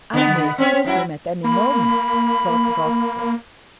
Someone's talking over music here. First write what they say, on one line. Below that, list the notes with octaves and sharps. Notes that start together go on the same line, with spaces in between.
"I may see him at any moment," thought Rostov.
D3 B3
C4 C#4 C#5
F#2 E4 F#4
A#3 B5